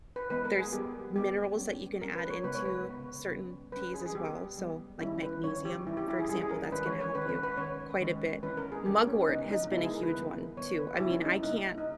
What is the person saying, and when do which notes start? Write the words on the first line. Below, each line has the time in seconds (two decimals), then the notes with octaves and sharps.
There's minerals that you can add into certain teas as well, so, like magnesium, for example, that's gonna help you quite a bit. Mugwort has been a huge one too. I mean, I can't
0.16 B4
0.30 E3 G#3 B3 B4
0.45 A#4
0.59 G#4
0.73 G3 B3 G4
1.16 G3 B3 G4
1.59 G3 C#4
2.02 G3 C#4 A#4
2.15 B4
2.30 C#5
2.44 C#3 G#3 B3 B4
2.55 C#5
2.65 B4
2.87 C#3 G#3 B3
3.30 G3 C#4
3.72 G3 C#4 B4
3.94 G#4
4.06 G#4
4.15 G3 B3 G4
4.58 G3 B3
5.01 D#3 G3 C#4 E4
5.23 B4
5.44 D#3 G3 C#4 C#5
5.65 G4
5.86 E3 G3 C#4 E4
5.97 G4
6.08 E4
6.19 G#4
6.29 E3 G3 C#4 G#4
6.41 G#4
6.51 A#4
6.72 D#3 G#3 C#4 B4
6.86 C#5
7.00 C#5
7.15 D#3 G#3 C#4 B4
7.29 B4
7.43 B4
7.57 D#3 G#3 C#4 C#5
8.01 D#3 G#3 C#4
8.43 E3 G#3 C#4 B4
8.57 A#4
8.72 G#4
8.86 E3 G#3 C#4 G4
9.07 C#4
9.29 C#3 G#3 B3 D#4
9.50 D#4
9.67 D#4
9.72 C#3 G#3 B3 E4
9.82 G#4
9.93 A#4
10.03 B4
10.14 D#3 G3 B3
10.57 D#3 G3 B3 C#5
10.79 B4
10.94 G4
11.00 C#3 G3 A#3 E4
11.11 C#4
11.21 D#4
11.43 C#3 G3 A#3 D#4
11.78 D#4